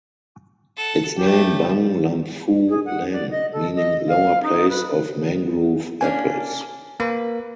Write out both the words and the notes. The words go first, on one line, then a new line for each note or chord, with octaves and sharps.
Its name "Bang Lamphu Lang" meaning "lower place of mangrove apples".
A4 F#5
A3 C#4 G4
G#4
F#5
D5
D#5
A4
D#5
F5
D#4
B4
A#3 C#4 D4 G#5
A#3 B4